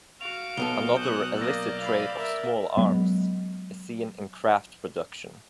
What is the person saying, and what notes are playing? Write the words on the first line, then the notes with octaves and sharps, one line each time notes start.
Another illicit trade of small arms is seen in craft production.
F#4 F5 D7 F7
B1 B3 A4 F6 G7
D#6 F#6 G6 E7
A#3 D5 D#5 E6 A#6
F5 B5 F7
A#4 E5
F#3 G#3 B3